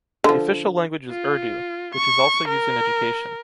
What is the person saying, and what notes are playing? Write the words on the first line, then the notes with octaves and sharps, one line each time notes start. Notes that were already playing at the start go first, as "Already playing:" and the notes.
The official language is Urdu, which is also used in education.
D3 F3
F4
C#6
A#4